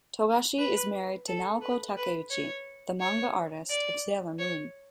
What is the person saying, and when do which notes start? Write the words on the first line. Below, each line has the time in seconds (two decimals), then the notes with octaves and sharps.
Togashi is married to Naoko Takeuchi, the manga artist of "Sailor Moon".
0.58 B4
1.28 A4
1.62 B4
1.97 B4
2.30 C#5
3.00 C#5
3.69 D5
4.39 C#5